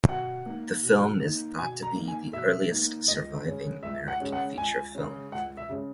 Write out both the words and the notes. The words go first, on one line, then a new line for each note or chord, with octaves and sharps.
The film is thought to be the earliest surviving American feature film.
B2 F#5
A#3 D#4
B2
A#3 D#4
B2 G#5
A#5
A#3 D#4
G#5
B2 E5
A#3 D#4
C#2 D#5
C#3 G#3 C#4
C#2 E5
F#5
C#3 G#3 C#4
F#5
C#2 G#5
C#3 G#3 C#4
C#2 F#5
E5
C#3 G#3 C#4